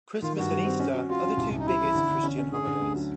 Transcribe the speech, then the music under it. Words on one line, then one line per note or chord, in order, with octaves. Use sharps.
Christmas and Easter are the two biggest Christian holidays.
D#3 F4
G2 F#4
G3
C4
C#4
F#4
F4 F#4
C#4
C2
C2
D#4
C3 E4
E3
D3
D3
C#4
C#4
D3 G#4
D3
D2
F#3